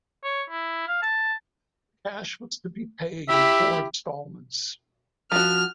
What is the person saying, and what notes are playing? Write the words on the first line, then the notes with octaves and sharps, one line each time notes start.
The cash was to be paid in four installments.
C#5
E4
F5
A5
E4 G4 E5
F3 F#4 F6